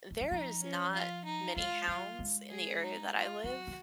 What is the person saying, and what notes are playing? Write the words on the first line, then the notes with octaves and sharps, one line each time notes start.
there is not many hounds in the area that I live.
G#3
F#3
F3 D#4
C#4
F4
D#4
G#3 F4
F#3 F4
G#3
G#4
D#4
F4
F#3 F#4
D#3